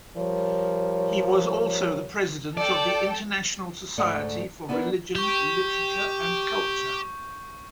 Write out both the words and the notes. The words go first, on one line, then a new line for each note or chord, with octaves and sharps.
He was also the President of the International Society for Religion, Literature and Culture.
F3 G3 A#4 C#5
A4 D5 G5
D2 G#2 A3 D5 F#5
B3 D4 E4 G#4 A#4 B4
G4 C#6 G6